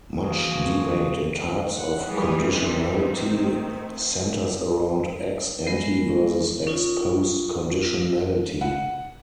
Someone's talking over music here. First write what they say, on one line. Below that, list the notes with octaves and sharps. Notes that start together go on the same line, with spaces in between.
Much debate in types of conditionality centers around ex-ante versus ex-post conditionality.
C#3 E3 F3 A#3 F#4 G#4
F#5
E3 F3 G3 G#3 G#4
D#3 C4
A3
G#3 B3 A#4
C#4 D#4 F4
F#5